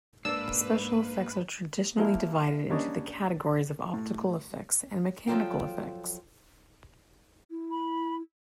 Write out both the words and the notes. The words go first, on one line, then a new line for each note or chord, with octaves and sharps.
Special effects are traditionally divided into the categories of optical effects and mechanical effects.
G#2 A#3 D4 B4 D5 E6
F3 G3 A#3 E4 A#4
G3 A#3 C#4 D4 C#5 D#5
A2
F3 F#3 F4 A4 G5
E4
B5